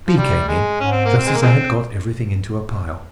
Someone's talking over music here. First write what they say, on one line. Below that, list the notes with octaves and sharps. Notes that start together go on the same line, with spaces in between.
B. came in just as I had got everything into a pile.
F3
C3 G3
G#3
G#2 C#4
C4
A#3
C4
G#3
A#3
F3 G#3 C4